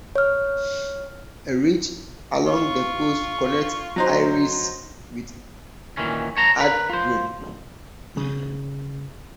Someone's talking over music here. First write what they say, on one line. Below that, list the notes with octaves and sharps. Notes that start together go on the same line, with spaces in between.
A ridge along the coast connects Eyeries with Ardgroom.
C#5 F6
F4 C#6
F#3 D#4 C5
A#2 D#3 E3 C#4
C#5 A5 A#5
A#4 B4
F4 C5
C#3